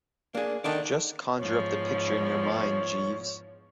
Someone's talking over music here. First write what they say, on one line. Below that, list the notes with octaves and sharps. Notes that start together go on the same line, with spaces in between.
Just conjure up the picture in your mind, Jeeves.
A#3 D4 G#4
D#3 D4 A4 D5
E2 G#2 F3 C#5